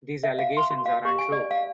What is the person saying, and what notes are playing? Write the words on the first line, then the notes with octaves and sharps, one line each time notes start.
These allegations are untrue.
E5
F5
C6
F#4
F5
G4
G#5
D5
F5